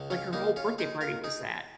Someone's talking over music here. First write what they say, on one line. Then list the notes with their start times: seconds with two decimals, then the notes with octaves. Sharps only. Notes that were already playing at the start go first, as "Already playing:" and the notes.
like, her whole birthday party was that.
Already playing: C#2 C#3
0.10 C#4 F4
0.33 A#3 D#4
0.56 C#4 F4
0.78 D#4 G#4
1.01 F4 A#4
1.24 D#4 G#4